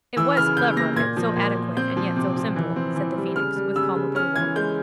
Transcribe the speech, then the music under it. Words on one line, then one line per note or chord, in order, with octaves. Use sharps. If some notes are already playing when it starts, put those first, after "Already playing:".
'It WAS clever of it--so adequate and yet so simple,' said the Phoenix, with calm approval.
E3 E6
C#3 F6
C#3 G6
A#3 A#6
A#2 G#6
F3
A#2
A#2
C4 G6
F3
C3
F3
E3
C4
E3
G3
C#3 F6
G3
C#3 E6
C#3
C#4 F6
E3 G#6
G#3 G6